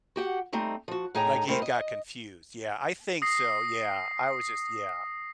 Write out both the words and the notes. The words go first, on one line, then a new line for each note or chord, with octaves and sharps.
Like, he got confused, yeah, I think so, yeah. I was just yeah.
F#4 G4 F#5
G3 A3 C4 D#4
F3 F#4
A2 D#4 G#4 C#5 G5 A#5
G3 A3 C4 E4 A#4 C5
D#5
D#6 A#6 C7